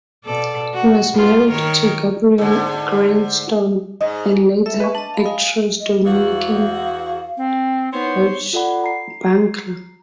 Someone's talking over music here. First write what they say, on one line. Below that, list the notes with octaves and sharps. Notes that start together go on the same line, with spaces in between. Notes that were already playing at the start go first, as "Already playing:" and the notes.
He was married to Gilberte Graillot, and later actress Dominique Blanchar.
B2 A4 D5
F#4
G2 B3 F4
D#3 A#4 C#5
G#2 D3
G#2 D#5
A4 E5
B4 C#6
D4 D#5 A5
F5 B5
D#5 F5 G#5
D#5
E2 F#4 F5
C4
B3 D#4 C5 C#5
F4 A4 D5 F#5 B5
A#5 C7